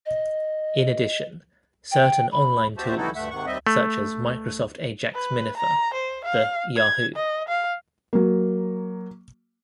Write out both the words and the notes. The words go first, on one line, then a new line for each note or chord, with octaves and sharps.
In addition, certain online tools, such as Microsoft Ajax Minifier, the Yahoo!
D#5
G5
B5
E2 F#4 G4 C5 E5 A5
E3 G3 D#4 E4 F#4 A4
D2 G2 A3 E5 F#5
D#2 G#2 C3 D#3 F#5 C#6
D#2 G3 C4 D#5 E5
A3
B4
A#5
C5
F5
G#6
D#5
F5
F#3 A#3